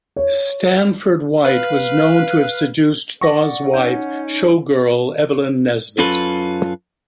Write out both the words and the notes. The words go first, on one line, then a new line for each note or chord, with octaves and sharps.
Stanford White was known to have seduced Thaw's wife, showgirl Evelyn Nesbit.
C#5
B4 F5
D5 F#5 C#6 D6 A#6
C#4 D#4 G6
F#2 C#4 F4 A4 B4